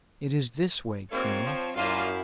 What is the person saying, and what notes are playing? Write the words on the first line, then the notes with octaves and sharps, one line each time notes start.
It is this way, colonel.
G#2 F#3 A#3 C4 C#5
F3
F#2 A#3 D4 E4 F4 F5